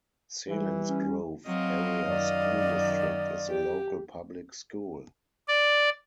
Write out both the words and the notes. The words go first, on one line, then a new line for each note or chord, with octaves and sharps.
Selinsgrove Area School District is the local public school.
E3 G3
C#4
F#3 C4 D#5 F5
F#2 D#3 D5
G4
D5